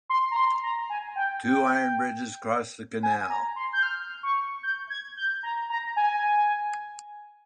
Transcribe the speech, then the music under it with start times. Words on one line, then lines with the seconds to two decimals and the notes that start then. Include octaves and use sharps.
Two iron bridges cross the canal.
0.10 C6
0.31 A#5
0.36 C6
0.63 A#5
0.90 G#5
1.16 G5
1.43 G5
3.03 G#5
3.30 A#5
3.56 C6
3.73 G6
3.83 F6
4.23 C#6
4.63 G6
4.90 G#6
5.17 G6
5.43 A#5
5.70 A#5
5.96 G#5